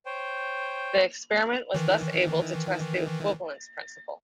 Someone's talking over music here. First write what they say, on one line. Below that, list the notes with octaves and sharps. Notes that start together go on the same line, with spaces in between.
The experiment was thus able to test the equivalence principle.
C5 C#5 G5
D#3 E3